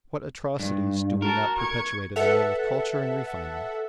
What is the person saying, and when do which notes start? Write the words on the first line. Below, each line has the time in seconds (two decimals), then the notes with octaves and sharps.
What atrocities do we not perpetrate in the name of culture and refinement!
0.60 G2
1.22 F#4 A#4 A5
1.57 C#6 G#6
2.16 A4 B4 E5 F#5 C#7 F7